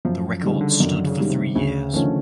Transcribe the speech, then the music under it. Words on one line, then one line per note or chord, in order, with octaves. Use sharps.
The record stood for three years.
F#2 F3
D3 D#3 G3
C#3
D3
F#2 D#3
C#3
D#3 G3
C3
D2 C#3
D3 D#3 F3 A3 C#4